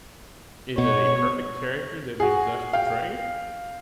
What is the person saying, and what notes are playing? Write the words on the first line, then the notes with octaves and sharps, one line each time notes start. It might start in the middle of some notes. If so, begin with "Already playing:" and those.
Is it a perfect character that is thus portrayed?
B2 C#5
F#4 G#4
F5 G5